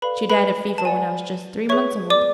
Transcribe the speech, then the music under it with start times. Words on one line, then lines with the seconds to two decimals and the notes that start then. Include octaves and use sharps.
She died of fever when I was just three months old.
0.02 A4 B4 D5 F5 B5
0.30 B4 B5
0.78 A5
0.85 B4 D5 F#5 G#5
1.69 G#4 B4 C#5 E5 C#6
2.10 D5 D6